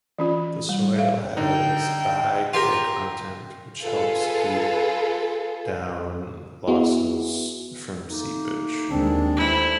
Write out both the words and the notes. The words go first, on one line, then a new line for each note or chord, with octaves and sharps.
The soil has a high clay content which keeps down losses from seepage.
E3 C#4 F4
G3
E5 F5
D3 D#4 G5
F4 G4 A#4
F4 G#4 A4 B4
B3 E4 F#4 G#4
A3 A#3 D#4
D#2 G#3 C4 D4
A3 E4 B4 C5